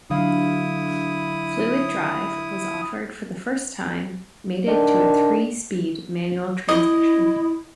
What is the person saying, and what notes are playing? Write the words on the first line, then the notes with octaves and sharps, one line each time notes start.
Fluid Drive was offered for the first time, mated to a three-speed manual transmission.
D3 F#3 E4 F5 D#6
D#3 D4
E4 D#5